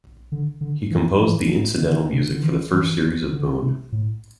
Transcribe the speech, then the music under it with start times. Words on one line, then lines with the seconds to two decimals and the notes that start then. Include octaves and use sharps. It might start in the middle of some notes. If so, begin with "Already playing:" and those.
He composed the incidental music for the first series of "Boon".
0.32 D3
0.61 D3
0.91 E3
1.21 F3
1.32 E3
1.41 F3
1.81 D3
2.12 C3
2.30 D3
2.42 E3
2.73 E3
3.32 D3
3.63 C3
3.92 A2